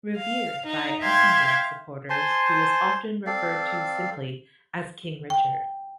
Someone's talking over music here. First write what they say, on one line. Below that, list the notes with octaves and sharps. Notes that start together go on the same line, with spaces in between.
Revered by Essendon supporters, he was often referred to simply as "King Richard".
F5
D#4
E5 F5 G5 C6 G#6
C5 G#5 A5 C6
C4 A4 D5 F5
G5